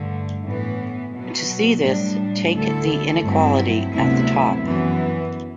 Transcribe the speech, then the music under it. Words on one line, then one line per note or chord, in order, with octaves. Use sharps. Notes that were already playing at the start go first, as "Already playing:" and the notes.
To see this, take the inequality at the top.
Already playing: G2 D3 A3
A2 E3 B3
B2 F#3 B3
A2 G3 D4
D2 D3 A3 E4 A4
G2 F#3 A3 C4 E4
D2 C3 F#3 B3 E4
F#2 E3 B3